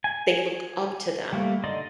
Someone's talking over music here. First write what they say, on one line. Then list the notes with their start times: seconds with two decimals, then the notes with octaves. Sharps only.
they look up to them
0.04 G#5
1.33 G3 A3 A#3
1.64 D3 D#4 D5 D#5 C6